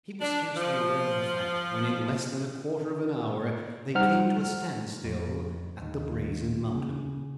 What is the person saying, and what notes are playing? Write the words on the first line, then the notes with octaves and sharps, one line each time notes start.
He was scarcely aware of the fact, when in less than a quarter of an hour they came to a standstill--at the Brazen Mountain.
D4
F3
G3 D#4 C5 F#5 A#5 F6
F2
D#2
C#3